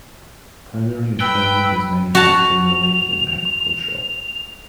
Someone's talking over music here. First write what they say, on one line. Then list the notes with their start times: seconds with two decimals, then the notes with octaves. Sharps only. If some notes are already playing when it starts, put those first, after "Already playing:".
Primary employment is manufacturing related and agricultural.
1.20 B4 G5 B5 E6
2.15 F#4 A5 F7